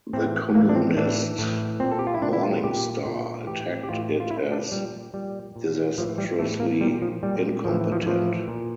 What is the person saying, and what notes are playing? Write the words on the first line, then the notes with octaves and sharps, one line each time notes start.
The Communist "Morning Star" attacked it as "disastrously incompetent".
A2 E3 C4
A2 E3 A#3
D4
C4
A2 E3 D4
A2 E3
A#2 C4
A4
G4
F4
E4
A#2 D4
E4
F4
A#2 G4
A#2
A2 E3 G4
G4
A2 E3 F4
F4
A#2 E4
D4
A#2 G3
A#2 G3
A#2
A2 E3 F3
G3
A2 E3 A3
A#3
A#2 G3
F3
A#2 G3
A2 E3 F3
F3
A2 E3 F3
A#2